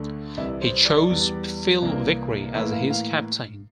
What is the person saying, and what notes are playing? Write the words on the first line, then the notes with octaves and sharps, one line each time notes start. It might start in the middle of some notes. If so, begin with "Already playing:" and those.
He chose Phil Vickery as his captain.
Already playing: D2 D3 A3
C2 C3 E3 E5
C5
D5
E2 E3 G3
C2 C3 E3 A#3
A2 E3 A#3 E5
F5
F5